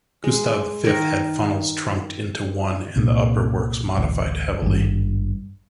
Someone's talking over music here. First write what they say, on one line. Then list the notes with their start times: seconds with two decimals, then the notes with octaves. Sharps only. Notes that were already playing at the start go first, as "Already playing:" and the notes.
Gustav V had funnels trunked into one and the upper works modified heavily.
0.24 G#3
0.84 D#3 A#4
2.96 C2 A#2
3.97 D1 A1
4.62 G#1 G2